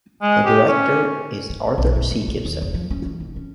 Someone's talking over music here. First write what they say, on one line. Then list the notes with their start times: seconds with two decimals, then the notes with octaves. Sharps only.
The director is Arthur C. Gibson.
0.22 G#3
0.45 G4
0.68 C#4
1.50 D3
1.78 B1
1.96 B2
2.11 F3
2.28 F4
2.45 D#2
2.61 F1
2.74 F3
2.90 C#4
3.05 E3
3.20 F1
3.36 C#4